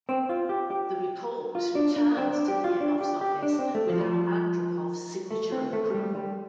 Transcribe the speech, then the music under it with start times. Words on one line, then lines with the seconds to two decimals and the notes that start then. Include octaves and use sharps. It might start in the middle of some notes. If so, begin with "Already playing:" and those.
The report was returned to Leonov's office, without Andropov's signature of approval.
0.09 C4
0.29 F4
0.49 G4
0.71 G4
1.55 F4
1.75 D4
1.96 D4
2.17 C4
2.33 D4
2.48 G4
2.64 F4
2.81 D4
3.01 G4
3.21 G4
3.43 D4
3.59 C4
3.75 A3
3.89 F3
4.06 F3
5.31 A3
5.52 C4
5.73 A3
5.94 G3
6.15 G3